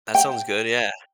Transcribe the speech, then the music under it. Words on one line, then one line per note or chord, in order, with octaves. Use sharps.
That sounds good, yeah.
G5